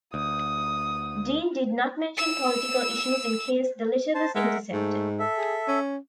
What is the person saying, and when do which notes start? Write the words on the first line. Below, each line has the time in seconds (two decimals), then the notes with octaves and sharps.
Deane did not mention political issues in case the letter was intercepted.
0.14 D2 D#6
2.17 E6
4.14 C5 A5
4.35 G#3 A#4 E5 F#5
4.73 G#2 A3
5.19 A4 E5
5.38 G#4
5.68 C#4